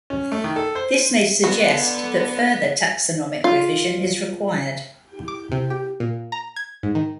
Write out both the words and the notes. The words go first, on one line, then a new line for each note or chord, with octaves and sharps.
This may suggest that further taxonomic revision is required.
C#4
A3
D#3
A4
C5
D3 B3 F#4
F4
D6
C3
G4
A#2
A#5
G#6
G#2
D#3